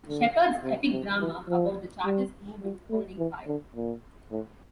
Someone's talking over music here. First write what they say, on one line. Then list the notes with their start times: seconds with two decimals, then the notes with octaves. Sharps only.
Shepherd's epic drama about the Chartist movement, Holding Fire!
0.08 D3
0.64 C3
0.92 C3
1.21 E3
1.49 F3
2.06 G3
2.62 G3
2.90 A3
3.18 E3
3.47 D3
3.76 A#2
4.31 A2